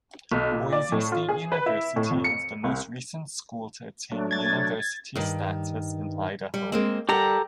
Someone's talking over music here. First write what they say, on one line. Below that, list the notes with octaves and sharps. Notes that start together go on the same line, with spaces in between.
Boise State University is the most recent school to attain university status in Idaho.
B1
A#2
D5
A2
F4
G#4
B4
E4
A2
F2
C#7
C2
F#3 A3 D4
G#6 A6
G2 D#3
G3
G#3 A#3 C4
G3 G4 A4 A#4 F#5 A#5